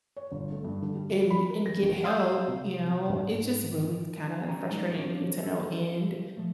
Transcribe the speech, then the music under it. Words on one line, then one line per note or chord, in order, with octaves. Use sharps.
and and get help, you know, it just really kinda frustrated me to no end,
C#5
G1
A3
G2
D3
G3
F#4
B5
A#4
A#6
A1
F5 C6 D#6 E6 G6
C3
G#2
C#4 F#4 C5 G5 G#5 A#5
F#3 G#3 D#4 D5 D#5 A#5
C4 D4 F#4 G4 C#5
A4 C5 D#5
F3 A3